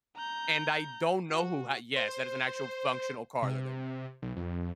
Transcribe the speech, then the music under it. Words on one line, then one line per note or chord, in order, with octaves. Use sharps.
and I don't know who h Yes, that is an actual functional car that they made.
A#5 G6
F#4
C5
C3
B1
F2